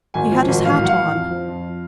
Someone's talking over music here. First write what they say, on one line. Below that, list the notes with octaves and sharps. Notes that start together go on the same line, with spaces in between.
He had his hat on.
G#1 G#5
F3
G#1
A1 F5
F#3 F#5
F5
A1
F2
F3
F2